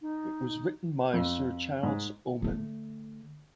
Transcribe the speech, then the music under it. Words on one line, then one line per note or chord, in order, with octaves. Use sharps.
It was written by Sir Charles Oman.
D#4
F2
G#2
D3 A3